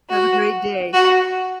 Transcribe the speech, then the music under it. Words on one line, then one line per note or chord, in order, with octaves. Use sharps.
Have a great day.
F#4
F#4